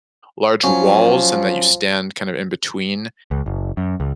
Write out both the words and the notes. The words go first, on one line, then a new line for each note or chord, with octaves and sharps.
large walls and that you stand, kind of in between,
F3 F#3 C#4
C#2
F#1
F#2
C#2